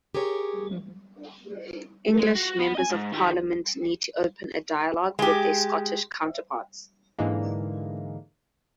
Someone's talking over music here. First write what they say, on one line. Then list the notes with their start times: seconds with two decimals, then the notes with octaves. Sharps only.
English Members of Parliament need to open a dialogue with their Scottish counterparts.
0.14 G4 G#4 A#4 C#5
2.19 G#3
2.35 F#4
2.59 B3
2.75 D#5 G#5
2.90 G#2
3.12 D#3 G3
5.19 G#3 G4
7.19 G#2 D3 E3 G#3 A#3